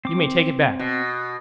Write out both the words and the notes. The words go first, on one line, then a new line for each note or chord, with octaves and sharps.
You may take it back!'
C4 D6
B2